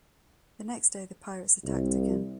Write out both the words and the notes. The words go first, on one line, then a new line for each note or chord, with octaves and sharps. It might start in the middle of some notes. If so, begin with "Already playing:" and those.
The next day the pirates attacked again.
C2